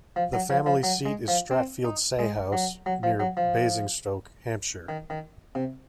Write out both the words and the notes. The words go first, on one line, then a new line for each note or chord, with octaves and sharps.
The family seat is Stratfield Saye House, near Basingstoke, Hampshire.
F3
F#3
F3
F3
F#3
G#3
F3
C4
D#4
G#3
F#3
F#3
F3
F#3
F3
D#3
D#3
C3